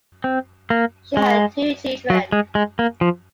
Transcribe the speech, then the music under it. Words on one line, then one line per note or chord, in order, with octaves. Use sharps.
She had two children.
C4
A#3
G#3
F#3
G#3
G#3
A#3
F3